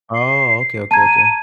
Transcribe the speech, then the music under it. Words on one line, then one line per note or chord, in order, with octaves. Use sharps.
Oh, okay, okay, okay.
C7
A5 A#5 G#6 D#7